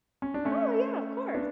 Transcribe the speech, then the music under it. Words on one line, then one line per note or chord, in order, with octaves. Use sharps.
Oh, yeah, of course.
C#4
D4
A3 C#4
B3 D4